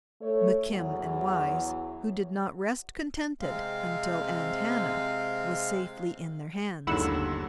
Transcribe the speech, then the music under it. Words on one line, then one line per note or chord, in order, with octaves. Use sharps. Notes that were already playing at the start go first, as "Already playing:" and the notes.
McKim and Wise, who did not rest contented until Aunt Hannah was safely in their hands.
A3 C#5
E2 F#3
C3 G#3 C4 F5
G1 D#2 G#2 D3 F#3 E4 F#5 E6